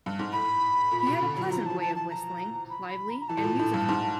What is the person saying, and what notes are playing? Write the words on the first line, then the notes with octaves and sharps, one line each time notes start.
He had a pleasant way of whistling, lively and musical.
G2
G#2
A2 B5
A#2
B2
D3
F#3
F3 A#5
E3
F3 A5
A5
A5
A#5
B5
B5
A#5
A#5
E3 A5
A2
A#2
A2
G2
G#2